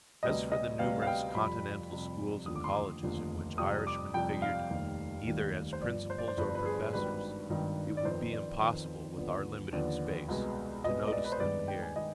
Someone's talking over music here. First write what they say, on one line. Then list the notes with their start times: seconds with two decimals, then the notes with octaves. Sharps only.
As for the numerous Continental schools and colleges in which Irishmen figured either as principals or professors, it would be impossible, with our limited space, to notice them here.
0.23 D2 C3 G3 B3 D#5
0.52 D#5
0.79 D2 C3 G3 B3 F5
1.02 F5
1.07 G5
1.35 F2 C3 G3 B5
1.91 F2 C3 G3
2.46 F1 D#2 D3 F3 D#6
2.56 D6
2.64 C6
2.72 D6
3.02 F1 D#2 D3 F3
3.58 F2 C3 G3 D#6
3.87 D6
4.14 F2 C3 G3 G5
4.42 F5
4.70 F1 D#2 D#3 G3
5.26 F1 D#2 D#3 G3
5.73 C5
5.82 G1 G2 F3 D5
6.10 C5
6.18 D5
6.28 C5
6.37 G1 G2 F3 B4
6.55 B4
6.66 G#4
6.93 G#1 G2 D#3 G3 B4
7.49 G#1 G2 D#3 G3
7.97 D5
8.05 F2 D#3 B3 C5
8.33 D5
8.61 F2 D#3 B3
9.17 D#2 D3 F3 B3
9.72 D#2 D3 F3 B3 D5
10.28 C2 B2 G#3 B3
10.84 C2 B2 G#3 B3 D#5
11.08 D#5
11.12 D5
11.24 B4
11.32 C5
11.40 G2 D#3 G#3 B3 D5
11.68 G5
11.82 G#5
11.96 D#3 G#3 D#5